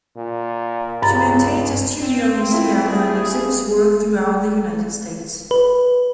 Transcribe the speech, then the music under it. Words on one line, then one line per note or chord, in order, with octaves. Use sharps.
She maintains a studio in Seattle and exhibits work throughout the United States.
A#2
C#2 G2 A#5 A6
C4
A3 E4 F4
G2 G#4
B4